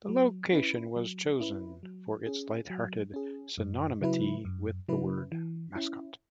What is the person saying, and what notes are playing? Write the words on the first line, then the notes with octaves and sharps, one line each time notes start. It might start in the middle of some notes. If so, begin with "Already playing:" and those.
The location was chosen for its lighthearted synonymity with the word mascot.
F#3
C#4 E4 B4
F#3
C#4 E4 B4
F#3
C#4 G#4
F#3
C#4 G#4
F#2
C#3 F#3 E4 B4
F#2
C#3 F#3 E4 B4
E3
C#4 E4